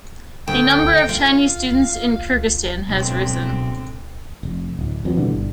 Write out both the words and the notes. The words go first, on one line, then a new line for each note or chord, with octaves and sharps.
The number of Chinese students in Kyrgyzstan has risen.
D2 G5
F4 F5
B1 G#2 D3 C4
F1
D1
D1 F2 F#3 B3
B2 D3 E3 G3
G1